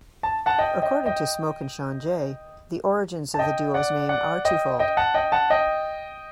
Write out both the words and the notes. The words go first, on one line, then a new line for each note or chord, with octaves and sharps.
According to Smoke and Shawn Jay, the origins of the duo's name are twofold.
A5
F#5 A5
D#5 G5
D#5 G5
D#5 G5
A5
D#5 G5
D5 F#5
D5 F#5
D#5 G5
D#5 G5
F#5 A5
D#5 G5
F#5 A5
D#5 G5